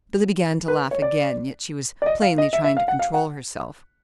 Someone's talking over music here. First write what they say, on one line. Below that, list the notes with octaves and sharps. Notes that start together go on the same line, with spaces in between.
Billy began to laugh again, yet she was plainly trying to control herself.
B4
C#5
D5
D5
D#5
F5
D#5
E5
E5
F5
F#5
F5
F#5